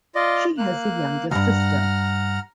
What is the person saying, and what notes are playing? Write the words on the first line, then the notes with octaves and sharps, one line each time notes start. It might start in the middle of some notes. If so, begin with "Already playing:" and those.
She has a younger sister.
F4 D5 D#5
A#3 F#6
C#2 G2 F#5 A#5 F6